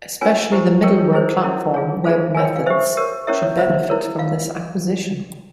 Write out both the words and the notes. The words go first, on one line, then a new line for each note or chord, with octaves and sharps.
Especially the middleware platform WebMethods should benefit from this acquisition.
C#4 F4 A#4 C#5 G#5
E4 G4 C5
E4 G4 A#4 C#5 G5
C#5
E4 G#4 C5 C#5
C#4 E4 A#4 C#5
F4 G#4 C#5
F4 G#4 C5 F5
F4 A#4 C#5 G#5
G5
F5
G4 C5 E5
G4 A#4 C#5
C#4 E4 G4 A#4 C#5 E5
C#5
F4 C5 E5
E4 A#4 C#5
F4 F5